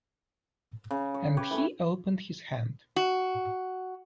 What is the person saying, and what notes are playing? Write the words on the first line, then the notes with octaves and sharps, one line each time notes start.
And he opened his hand.
C#3
C#5
G4 B4 C#5
E3 A3
F#4